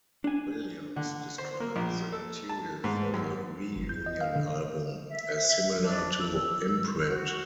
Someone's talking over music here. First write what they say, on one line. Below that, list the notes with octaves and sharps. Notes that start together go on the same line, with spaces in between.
Williams described the material for the reunion album as similar to "Imprint".
D4 G#5
D3
C5
A#3
A#1
A4
A5
G#2
F#2
G1
G6
D#5
F5
D3
E5
D4
E6
F#4